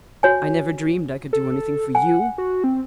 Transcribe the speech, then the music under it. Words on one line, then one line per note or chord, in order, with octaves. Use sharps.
I never dreamed I could do anything for YOU!
F#4 C#5 G#5
A4
F#5 G#5
F#4
C4